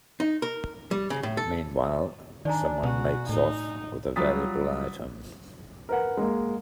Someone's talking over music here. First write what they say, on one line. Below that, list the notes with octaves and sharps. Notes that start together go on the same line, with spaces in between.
Meanwhile, someone makes off with a valuable item.
D#4
A#4
G3
C#3
A2
A4
D#3 D4 D5 G#5 A#5
B2 F#4
A2 D#4
F#3 G3 F4 D#6 A6 B6
A#4 B4 F#5
G#3 A#3